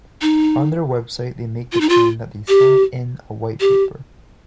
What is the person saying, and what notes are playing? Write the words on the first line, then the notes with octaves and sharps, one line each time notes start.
On their website, they make the claim that they sent in a white paper.
D#4
F4
D#4
F4
G4
G4